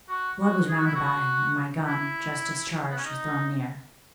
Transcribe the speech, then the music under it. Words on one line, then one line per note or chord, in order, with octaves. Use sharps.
Blood was round about him, and my gun, just discharged, was thrown near.
F#4
F#4
G#4
F#4
E4
F#4
E4
B3
C#4
D#4